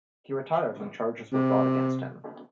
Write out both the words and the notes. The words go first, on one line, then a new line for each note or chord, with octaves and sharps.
He retired when charges were brought against him.
C3